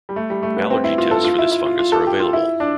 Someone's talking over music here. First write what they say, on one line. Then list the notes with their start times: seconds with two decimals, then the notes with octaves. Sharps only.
Allergy tests for this fungus are available.
0.09 G3
0.16 A3
0.30 G3
0.43 A3
0.57 B3
0.70 C4
0.84 E4
0.98 F4
1.11 A4
1.24 F4
1.38 E4
1.52 E4
1.66 F4
1.79 F4
1.92 A4
2.07 G4
2.20 F4
2.33 E4
2.60 D4